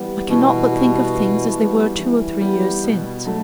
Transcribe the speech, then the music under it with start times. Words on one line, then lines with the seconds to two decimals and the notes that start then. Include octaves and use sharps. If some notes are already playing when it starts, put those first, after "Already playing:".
I cannot but think of things as they were two or three years since.
Already playing: E3 G3 B3
0.28 B2 E3
0.71 G3 B3
1.14 E3
1.56 G3 B3
1.99 E3
2.41 G3 B3
2.84 B2
3.26 F#3 A3